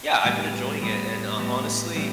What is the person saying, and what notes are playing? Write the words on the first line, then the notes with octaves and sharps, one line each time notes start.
yeah, I've been enjoying it, and, uh, honestly,
A2 E3 G3 B3
A2 E3 G3 B3
A2 E3 G3 B3
A2 E3 G3 B3